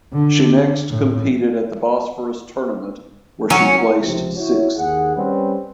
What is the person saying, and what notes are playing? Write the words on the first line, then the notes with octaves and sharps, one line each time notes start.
She next competed at the Bosphorus Tournament where she placed sixth.
D3
A2
F#3 C#4
C#2 C3 F3
E4 F#4 C#5
D#2 G#4 F#5
G3 C4 C#4 B4